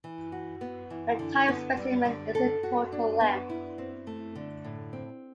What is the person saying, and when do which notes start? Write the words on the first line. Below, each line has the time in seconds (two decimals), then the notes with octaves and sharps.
The type specimen is in total length.
0.04 E3
0.32 F#4
0.61 B3
0.90 E3
1.19 D3
1.48 B3
1.77 G3
2.05 D3
2.35 A4
2.63 F#4
2.92 D4
3.21 B3
3.50 E4
3.78 C4
4.07 A3
4.35 D3
4.65 A2
4.93 C4